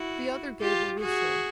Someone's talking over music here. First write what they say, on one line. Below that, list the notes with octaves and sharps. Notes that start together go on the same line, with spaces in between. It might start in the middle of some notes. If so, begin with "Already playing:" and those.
The other gave a whistle.
Already playing: E4 F#4
F4 G4
F#4 G#4